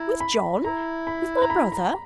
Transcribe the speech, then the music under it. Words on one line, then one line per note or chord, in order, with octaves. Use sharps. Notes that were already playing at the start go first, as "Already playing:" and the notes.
'With John! with my brother!
Already playing: E4 A#5
B5
E4 A#5
B5
A#5
B5
A#5